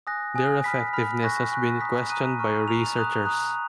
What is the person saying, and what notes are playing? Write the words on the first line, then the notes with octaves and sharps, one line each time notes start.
Their effectiveness has been questioned by researchers.
G#5 D#6 F#6 A#6
G#5 D#6 F#6
B5 F6 B6
B5 F6
G#5 C#6 F#6 A#6
G#5 C#6 F#6
A#5 D#6 F#6 B6
A#5 D#6 F#6 D#7
A#5 C#6 F6
A#5 C#6 F6 F7
A#5 D#6 F#6
A#5 D#6 F#6